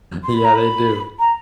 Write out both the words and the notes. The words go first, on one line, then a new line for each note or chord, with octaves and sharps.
Yeah, they do.
C6
B5
A#5
B5
A#5